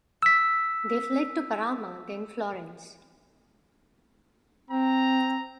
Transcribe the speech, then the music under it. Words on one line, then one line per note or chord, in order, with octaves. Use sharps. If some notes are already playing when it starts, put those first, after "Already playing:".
They fled to Parma, then Florence.
E6 B6
C4 A#5